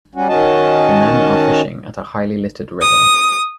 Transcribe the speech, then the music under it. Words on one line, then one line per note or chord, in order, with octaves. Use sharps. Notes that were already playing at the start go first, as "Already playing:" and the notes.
The men are fishing at a highly littered river.
G3 C#4 F#4
D#3 C#4 F#4 D#5 A5
D#6